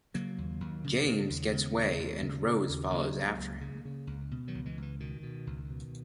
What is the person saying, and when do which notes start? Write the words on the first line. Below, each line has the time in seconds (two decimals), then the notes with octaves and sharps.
James gets way and Rose follows after him.
0.14 C#3 F#3 A#3
0.38 D#2
0.60 D#2
0.84 C#3
1.07 C#3
1.29 D#2
1.53 C#3 G#3 B3
1.77 D#2
1.99 D#2
2.22 C#3
2.46 C#3
2.69 D#2
2.91 C#3 F#3 A#3
3.16 C#2
3.38 C#2
3.61 C#3
3.85 C#3
4.07 C#2
4.31 B2
4.48 D#3 F#3
4.55 C#2
4.66 E3 G#3
4.78 C#2 E3
5.00 B2 D#3
5.23 B2
5.47 C#2
5.70 B2